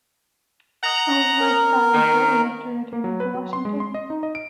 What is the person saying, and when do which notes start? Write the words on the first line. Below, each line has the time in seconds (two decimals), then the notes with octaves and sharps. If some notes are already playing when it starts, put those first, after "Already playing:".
Ellsworth died shortly after returning to Washington.
0.83 D#5 F#5 A#5
1.40 A#4
1.94 D#3
2.93 A#3
3.04 F#3
3.20 B4
3.34 F#3
3.53 C6
3.65 G#3
3.80 C6
3.94 D#5
4.10 D#4
4.23 D#5
4.35 D7